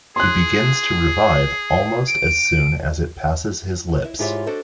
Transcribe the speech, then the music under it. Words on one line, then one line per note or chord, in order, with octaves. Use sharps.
He begins to revive almost as soon as it passes his lips.
G#4 C6 F#6
D7
E4 D#5
G#2 E4 F4 G4 C#5 E5
D4 F#4 A4 C5 D#5